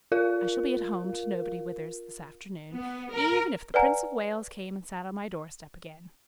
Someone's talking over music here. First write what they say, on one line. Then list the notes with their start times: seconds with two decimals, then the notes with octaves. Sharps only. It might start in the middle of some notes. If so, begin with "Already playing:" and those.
I shall be at home to nobody, Withers, this afternoon, even if the Prince of Wales came and sat on my doorstep again.
0.12 F4 A#4 F5
2.72 B3
3.14 A#4
3.74 B4 D5 F#5 G#5 A#5